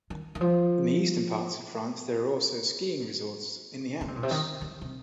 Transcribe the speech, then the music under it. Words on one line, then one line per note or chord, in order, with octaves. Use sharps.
In the eastern parts of France there are skiing resorts in the Alps.
D#3
D#3
F3
D3
C3
A#2
C3
D#3
D#3
C3